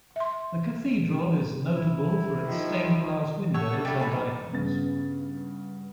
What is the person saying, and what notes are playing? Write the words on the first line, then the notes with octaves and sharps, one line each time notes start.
The Cathedral is notable for its stained glass windows and icons.
E5 C6
E4
D#3 F3
A3 C#5 F#5 C#6 E6
G3
F#3 G3 A3 D4 G4 G5
F5 G#5 B5
D#3
G2 C#3 B3 A6